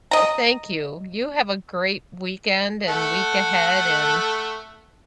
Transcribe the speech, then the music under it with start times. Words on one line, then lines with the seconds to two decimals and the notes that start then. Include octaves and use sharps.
eh thank you, you have a great weekend and week ahead, and
0.11 D#5 A#5
2.88 A3 A4 F#5